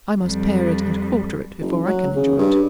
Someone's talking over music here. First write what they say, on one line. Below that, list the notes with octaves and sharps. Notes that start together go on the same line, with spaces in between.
I must pare it and quarter it before I can enjoy it.'
F2 G3
F#1
F#3
C#3
G2